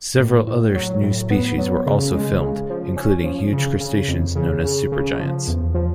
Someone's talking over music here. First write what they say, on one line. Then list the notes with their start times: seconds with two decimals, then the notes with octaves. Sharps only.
Several other new species were also filmed, including huge crustaceans known as supergiants.
0.19 A2
0.47 A2
0.75 F#3
1.02 A2
1.30 B3
1.58 F#3
1.86 C#3
2.13 G#3
2.41 C#3
2.70 F3
2.97 C#4
3.24 F3
3.53 C#3
3.80 C#3
4.08 F2
4.36 C#3
4.64 C#3
4.92 C#3
5.19 F3
5.47 E2
5.74 F3